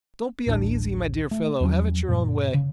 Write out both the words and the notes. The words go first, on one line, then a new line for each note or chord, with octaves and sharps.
Don't be uneasy, my dear fellow, have it your own way.
D1 A1 C#4 D4
A3
E2 F3 F#3 C#4
F#2 A#2
C#3